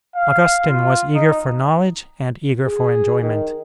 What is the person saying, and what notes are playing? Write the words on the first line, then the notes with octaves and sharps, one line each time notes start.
Augustine was eager for knowledge and eager for enjoyment.
F5
F4
D#4
G#4
D#3